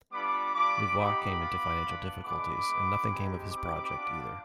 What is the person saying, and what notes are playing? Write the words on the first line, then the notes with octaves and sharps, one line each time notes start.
Louvois came into financial difficulties and nothing came of his project, either.
G3 B3 D4 F4 B5 D6
G3 D4 F4 B5 D6
B3 D#4 G4 B5 D6
B3 F4
B3 D4 F4
G#3 B3 D4 B5 D6
G#3 B3 D#4
G#3 C4 D#4 G4
C4 D#4 G4 B5 D6
B3 D4 F4